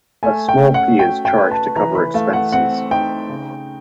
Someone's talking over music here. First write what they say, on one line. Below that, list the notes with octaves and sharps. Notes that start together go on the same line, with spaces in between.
A small fee is charged to cover expenses.
A3 G#5
G5
C#4
F#5
F#4 G5
G5
B4
A5
E3 A#5
B5
A3 F5
F#5
C4 F#5
D#4 G5
C#3